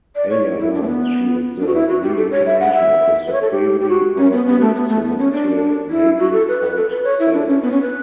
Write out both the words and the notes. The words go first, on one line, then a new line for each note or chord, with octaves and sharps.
Aya learns she is the reincarnation of a supremely powerful celestial maiden called Ceres.
D5
C#5
E4
D4
A3
B3
D4
F#4
E4
F#4
G4
A4
C#5
E5
F#5
E5
B4
C#5
A4
G4
G4
F#4
C#4
B3
B3
A3
B3
A3
B3
C#4
D4
E4
F#4
A4
B4
B4
A4
B4
C#5
E4
D4
C#4
B3
C#4
B4